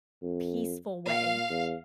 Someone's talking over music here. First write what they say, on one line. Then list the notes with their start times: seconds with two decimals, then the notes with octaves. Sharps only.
peaceful way,
0.23 F2
1.06 A#2 F5
1.49 E2